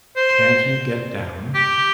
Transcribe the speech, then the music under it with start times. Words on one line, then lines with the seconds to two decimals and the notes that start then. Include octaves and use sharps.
Can't you get down?
0.16 C5
1.54 G4